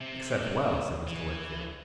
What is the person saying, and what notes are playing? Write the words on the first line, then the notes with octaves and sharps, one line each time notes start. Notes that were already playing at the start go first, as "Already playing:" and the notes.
'Except well?' said Mr. Wickfield.
C3
E3